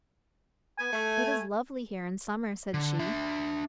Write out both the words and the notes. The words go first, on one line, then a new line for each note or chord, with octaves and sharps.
"It is lovely here in summer!" said she.
B3 G#5
A3
D3
D4 E5